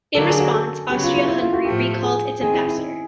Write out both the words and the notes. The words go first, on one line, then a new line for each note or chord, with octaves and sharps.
In response, Austria-Hungary recalled its ambassador.
D3 F#3 A#3 D4 A4
G#4
F#4
A4
C#3 F#3 B3 G4
F4
E4
E4
F4
F#4
A2 F3 A3 G4
G#4
D#3 G#3 C4 G#4
E4
E4
D#4